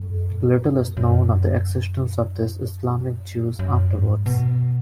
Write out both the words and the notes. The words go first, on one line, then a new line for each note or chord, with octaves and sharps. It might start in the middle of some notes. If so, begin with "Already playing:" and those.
Little is known of the existence of these Islamic Jews afterwards.
Already playing: F#2
A#2
F#2
F#2
F#2
G#2
B2